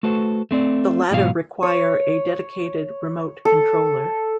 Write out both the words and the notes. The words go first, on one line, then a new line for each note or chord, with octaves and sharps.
The latter require a dedicated remote controller.
A3 F#4 A4 B4 C5
A3 C4 D5
G#2 B2 E3 F#3 G#4 F5
C#5
A4